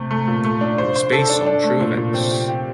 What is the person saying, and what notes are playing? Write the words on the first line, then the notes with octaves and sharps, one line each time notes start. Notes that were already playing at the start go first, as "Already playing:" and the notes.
It was based on true events.
Already playing: C3 A3
A3
A#2
A3
D4
C5
C5
A4
D4
D4
A3
A#2
A#2
C4
G4
G4